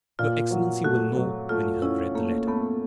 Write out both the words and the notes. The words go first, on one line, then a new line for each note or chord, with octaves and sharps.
"Your excellency will know when you have read the letter."
A#2 F4
F#3
A3 F#4
F#3
A3 F4
C#4 E4
A3 A#3
A3 B3